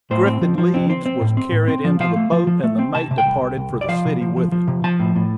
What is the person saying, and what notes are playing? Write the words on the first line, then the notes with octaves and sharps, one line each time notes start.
Griffin Leeds was carried into the boat, and the mate departed for the city with him.
A2 C5
C4
F3
F3
C4
C4
C4
A2
C4
A2
C4
F3
F3 F5
A3
F3
F3
A3
C4
C3 A5
C3
G5
C2
C2
C2
C2
D5
F3 F5
C3
F3
F3
F3
C3
F3 A5
A2
A2